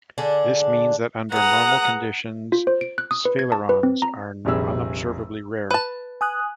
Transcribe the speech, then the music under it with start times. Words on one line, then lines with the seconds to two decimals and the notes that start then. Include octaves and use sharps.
This means that under normal conditions sphalerons are unobservably rare.
0.18 D3 D4 G#4
1.32 G#4 B4 F#5 A#5 D#6
2.52 F4
2.67 C5
2.81 D7
2.98 F#6
3.11 D#6
3.25 B4
3.39 G#6
3.52 A5
3.69 B4
3.83 C4
4.02 A#5
4.45 F1 A#1 G3 G#4 E6
5.71 B4 A5
6.21 G#5 D#6 F#6